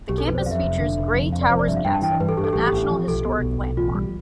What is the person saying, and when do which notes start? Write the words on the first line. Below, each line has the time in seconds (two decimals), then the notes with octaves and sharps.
The campus features Grey Towers Castle, a National Historic Landmark.
0.09 B1 G4
0.18 A4
0.27 F2 B4
0.35 C5
0.39 D5
0.46 F2 F5
0.51 E5
0.63 F1
0.80 D3
0.98 F1
1.14 F2
1.33 F1 F5
1.41 D5
1.50 F2 C5
1.59 D5
1.68 G2 E5
1.76 F5
1.85 G2 G5
1.94 A5
2.02 E3 G5
2.20 G2 B4
2.29 A4
2.37 G2 G4
2.45 A4
2.53 G4
2.56 A1 A4
2.67 G4
2.72 A1
2.91 F3
3.07 B1 A4
3.25 B2
3.42 B1
3.60 B1
3.77 A1 F4
3.95 G3